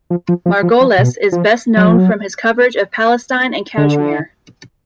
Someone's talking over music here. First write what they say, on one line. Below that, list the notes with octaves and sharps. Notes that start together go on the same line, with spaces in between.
Margolis is best known from his coverage of Palestine and Kashmir.
F3
F3
F3
F3
F3
B2
F3
F#3
F3
F#3
D3